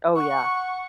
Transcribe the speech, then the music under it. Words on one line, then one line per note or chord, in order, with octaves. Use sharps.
Oh, yeah.
F#5 C#6